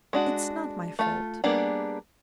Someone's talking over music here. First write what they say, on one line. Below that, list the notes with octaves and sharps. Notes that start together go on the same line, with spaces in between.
It's not my fault.
G#3 D4 F#4
A3 F4
G3 A#3 B3 D4 G#4